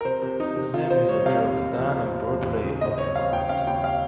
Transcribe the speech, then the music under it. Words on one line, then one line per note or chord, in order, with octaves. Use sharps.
The name is a joke: Stalin brutally optimizes.
A#4
C3 C5
C3
C3 D#4
C3
C3 F4
C4 C5
G3 C#5
C3 F5
D#2
D#2
F3
D#2
D#2
F3
D#2
C#3
D#2 D#5
C4 C#5
C4 F5
D#2 G5
C#3 F5
D#2 G5
F5